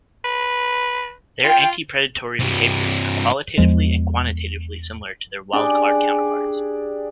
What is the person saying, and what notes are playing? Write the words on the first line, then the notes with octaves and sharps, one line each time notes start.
Their anti-predatory behaviors are qualitatively and quantitatively similar to their wild-caught counterparts.
B4
F4 G5
G2 C3
E2 F3 G#3
D4 G4 G#4 D5